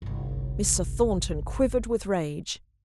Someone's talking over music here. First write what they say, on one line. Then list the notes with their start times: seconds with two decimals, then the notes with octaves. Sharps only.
Mr. Thornton quivered with rage.
0.02 G1 C2